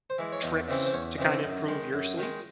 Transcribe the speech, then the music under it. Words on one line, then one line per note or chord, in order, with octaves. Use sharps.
tricks to kinda improve your sleep?
C5
E3 G#3
C#5
E2 D#5
C#3 E3 C4 D#5
C5
E2 C#5
C#3 E3 C4 D#5
F#2
D#3 G#3
F#2
D#3 G#3